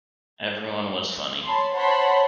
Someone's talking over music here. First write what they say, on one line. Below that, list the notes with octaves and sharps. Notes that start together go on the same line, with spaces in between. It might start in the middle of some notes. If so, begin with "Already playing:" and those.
Everyone was funny.
C#5 A5 B5 C6
C5 C#5 F#5 A5 B5 C6